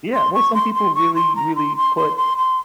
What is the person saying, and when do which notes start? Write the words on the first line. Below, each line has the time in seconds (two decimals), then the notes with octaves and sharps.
yeah, well, some people really, really put
0.14 C6
0.34 C#6
0.55 C6
0.74 C6
0.95 C#6
1.15 C6
1.36 A#5
1.56 C6
1.77 C6
1.97 C6
2.17 C6
2.38 C6